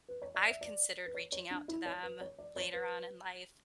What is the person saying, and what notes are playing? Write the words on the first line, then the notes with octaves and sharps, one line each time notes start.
I've considered reaching out to them later on in life.
B4
C#5
D5
E5
D5
B4
C#5
C#5
D4
E4
C#5
B4
C#5
D5
C#5
B4